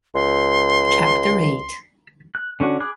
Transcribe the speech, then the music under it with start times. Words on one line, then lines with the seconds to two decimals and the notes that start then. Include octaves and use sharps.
Chapter eight.
0.15 C#2 C6
2.35 F#6
2.60 D3 C#4 D4 F#4
2.80 G#4 B5 D6 F#6